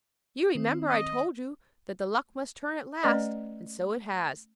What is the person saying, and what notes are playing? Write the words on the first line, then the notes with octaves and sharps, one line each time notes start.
'You remember, I told you that the luck must turn at last, and so it has.
D#3 C4
D#5
A3 C#4 B4 D5 D#5 A#5